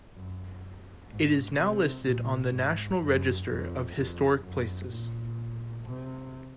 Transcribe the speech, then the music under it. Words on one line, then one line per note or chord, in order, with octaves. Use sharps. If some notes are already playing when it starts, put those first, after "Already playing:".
It is now listed on the National Register of Historic Places.
F#2
G#2
C3
A#2
G#2
F#2
F2
F2
F#2
A#2
C3